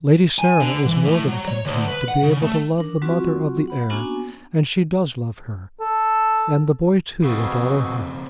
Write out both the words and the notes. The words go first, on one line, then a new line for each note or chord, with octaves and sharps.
Lady Sarah is more than content to be able to love the mother of the heir, and she does love her, and the boy too, with all her heart.
G#5
D3
E3
A2
F#3
C#5
D2
B4
F#5
C#3
A3
D4 D#4 A#4
F#3 C4 F4 F#4 C#6
F#5 B5
A#3 B3 C#4 D4 F#4 G#5
A4
F2 C#3 B3 C4 F#4